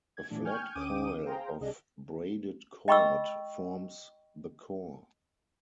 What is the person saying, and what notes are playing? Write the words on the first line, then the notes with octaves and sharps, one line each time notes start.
A flat coil of braided cord forms the core.
G#6
A#2 E3 F#3 A3 D4
G5 G#5 C#6 F6 G6 G#6
D2 C#4 G5 D6 D#6 D#7
G#4 C5 F5 G5 A#5
C2 C3 D4 G#4 D#5
D#5 G5 B5 C#6 D6 E6